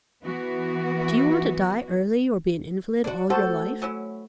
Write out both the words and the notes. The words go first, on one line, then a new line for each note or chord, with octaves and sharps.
Do you want to die early, or be an invalid all your life?'
E3 B3 F#4
D4 F#4 D5
A3 F#4 A4 C5 A5
F#3 C#4 E4